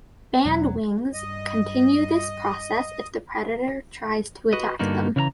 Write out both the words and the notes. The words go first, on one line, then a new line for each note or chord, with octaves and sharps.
Bandwings continue this process if the predator tries to attack them.
E2 B2 F#3 C#4
G2 D#5
F#4 B4 D#5
G2 D3 A#3 B3 D#4 F#4
C#3 E3 F5 A#5